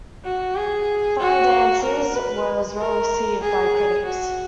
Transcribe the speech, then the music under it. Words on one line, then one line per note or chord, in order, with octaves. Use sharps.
"Fire Dances" was well received by critics.
F#4
G#4
F#4
A#4
B4
A#4
G#4
F#4